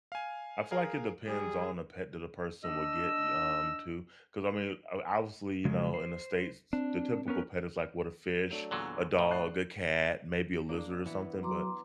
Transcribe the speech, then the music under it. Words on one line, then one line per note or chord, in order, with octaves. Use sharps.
I feel like it depends on the pet that a person would get y um, to, 'cause, I mean, o obviously, you know, in the States, the typical pet is like, what, a fish, a dog, a cat, maybe a lizard or something, but,
F5 G#5
G#4 A#4 F5
G3 G#4
D4 D#5 E6
C#3 F#3 G#3
C5
C4 D4
B3 C#4 A#4
F#3 A3 D4
E2 A#2 D3 F#3
A2
D5 F#6 C7
A#3 D4
E3 B3
F#3 A#5 C6 D6